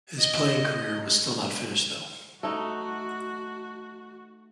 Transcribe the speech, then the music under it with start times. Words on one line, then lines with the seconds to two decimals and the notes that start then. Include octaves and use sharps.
His playing career was still not finished though.
0.18 D#5
2.43 A3 D#4 F#4